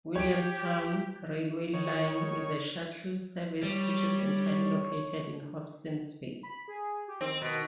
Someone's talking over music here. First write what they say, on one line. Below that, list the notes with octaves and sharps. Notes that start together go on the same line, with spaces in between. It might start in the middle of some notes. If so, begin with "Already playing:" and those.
Williamstown railway line is a shuttle service which is entirely located in Hobsons Bay.
G4 C#5 D7
D#3 C#5
G3 C#5
B5
G#4
G4
D#3 C4
B2